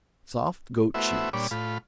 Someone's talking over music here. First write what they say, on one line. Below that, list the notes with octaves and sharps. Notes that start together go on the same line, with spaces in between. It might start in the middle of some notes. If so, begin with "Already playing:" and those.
Soft goat cheese.
A3 B3 E4 F#4 C5 E5
A#2 G3 D4 C#5 B5 D6
A2 F4 B5